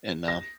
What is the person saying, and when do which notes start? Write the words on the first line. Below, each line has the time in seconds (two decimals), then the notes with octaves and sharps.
and, um,
0.28 A#6